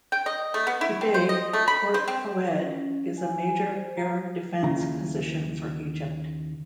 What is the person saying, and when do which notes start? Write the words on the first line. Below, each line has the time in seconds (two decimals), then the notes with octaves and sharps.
Today Port Fouad is a major Air Defence Position for Egypt.
0.12 G5
0.26 D#5
0.54 A3
0.67 B3
0.81 E4
1.01 C4
1.14 C5
1.29 D#5
1.53 A3
1.68 B5
1.94 C5
2.08 C4
2.57 C#4
3.18 G#5
3.40 G#5
3.76 C5
3.97 A#5
4.62 D#2 C#3 E4 F4 A#5